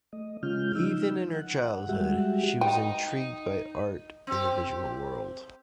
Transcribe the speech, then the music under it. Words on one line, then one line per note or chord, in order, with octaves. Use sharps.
Even in her childhood, she was intrigued by art and the visual world.
A3 D#5
C#3 G#3 C#4 F4 F6 G6
F3 D#4 E6
F#5
G3 G#3 F#4 G4 E5 F#5
D#4 G5
C4 G4